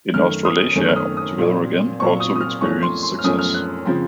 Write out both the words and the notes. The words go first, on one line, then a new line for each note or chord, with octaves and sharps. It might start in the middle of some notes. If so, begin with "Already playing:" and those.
In Australasia, "Together Again" also experienced success.
F#2 D#3 A3 C#4 F6
D#6
F#2 D#3 A3 C#4
F6
D#6
D#6
A#2 F#3 C4
A#2 F#3 C4 C#6
D#6
D#6
F6
F#2 F3 A3 C#4 C#6
C6
C6
F6
F#2 F3 A3 C#4 D#6
F6
F#6
C#3 F3 C4